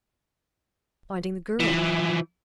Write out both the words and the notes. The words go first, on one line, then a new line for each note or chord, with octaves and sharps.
"Finding the girl."
E3 F3